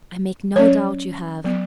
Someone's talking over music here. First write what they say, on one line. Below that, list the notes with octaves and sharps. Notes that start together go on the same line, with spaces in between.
I make no doubt you have.
F#3 C#4 C#5
F#3 B3